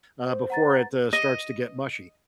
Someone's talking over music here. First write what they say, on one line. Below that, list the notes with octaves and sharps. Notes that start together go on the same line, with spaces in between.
uh, before it, uh, starts to get mushy.
C5
F#5 A#5 A6
D#5